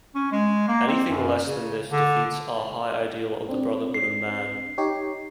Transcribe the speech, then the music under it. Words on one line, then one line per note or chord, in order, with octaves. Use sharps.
Anything less than this defeats our high ideal of the brotherhood of man.
C#4
G#3
A#3
C4
F#2
C#3
D3
C4 D4
C7
D#4 G4 C#5